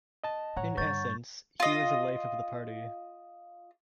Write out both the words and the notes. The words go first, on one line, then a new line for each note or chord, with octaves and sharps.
In essence, he was the life of the party.
D#5 A5
A2 C#5 F#5 A#5
G2 D3 C#6 G6 A6
F4 D#5